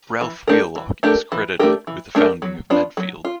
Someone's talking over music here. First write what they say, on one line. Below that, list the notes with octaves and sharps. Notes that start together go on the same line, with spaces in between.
Ralph Wheelock is credited with the founding of Medfield.
E3
A3 D4 G4 A#4
E3
A3 D4 G4 A#4
E3
A3 D4 G4 A#4
E3
A3 D4 G4 A#4
F#3
B3 D4 F4
F#3
F4